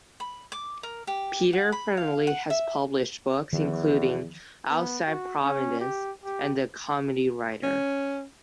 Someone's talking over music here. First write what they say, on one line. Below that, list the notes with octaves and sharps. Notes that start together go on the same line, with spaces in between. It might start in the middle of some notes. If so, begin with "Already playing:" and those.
Peter Farrelly has published books including "Outside Providence" and "The Comedy Writer".
B5
D6
A#4
G4
F#5
B5
F5
F#5
E5
E2 D#3 F3
B3
F#4
C#4
G4
G4
C#4